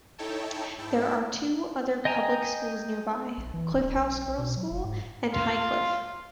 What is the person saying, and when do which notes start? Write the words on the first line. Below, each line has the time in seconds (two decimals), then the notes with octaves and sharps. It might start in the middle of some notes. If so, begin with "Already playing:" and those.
There are two other public schools nearby, Cliff House girls school and Highcliffe.
0.18 D#4 E4 A4 C#5 G5 A5
0.78 G#2 E4 G5 A5
2.05 D#5 G5 G#5 A#5
3.37 A#1
3.54 E3
3.73 D1
3.96 B1
4.38 B2
4.57 F#3
4.71 F#1
4.84 G#2
5.34 F5 C6